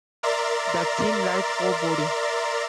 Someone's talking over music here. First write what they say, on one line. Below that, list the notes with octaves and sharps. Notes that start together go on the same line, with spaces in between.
That seemed like foreboding.
A#4 D5 E5 A#5 C6 A6